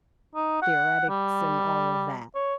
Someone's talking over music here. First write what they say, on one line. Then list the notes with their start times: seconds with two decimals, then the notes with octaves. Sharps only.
theoretics and all of that.
0.35 D#4
0.62 F#5
1.09 G3
2.35 C#5